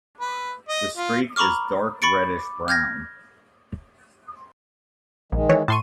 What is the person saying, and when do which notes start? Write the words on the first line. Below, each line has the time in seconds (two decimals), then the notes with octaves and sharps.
The streak is dark reddish brown.
0.20 B4
0.69 D#5
0.97 F4
1.36 A#5 B5 C#6 D6 F6
2.02 B5 C#6 A6 C#7 D7
2.68 F6 G6 G#6 A#6
5.32 A#1 D#3 G#3
5.49 E3 C#5
5.68 A2 A5 C6 C#6 D#7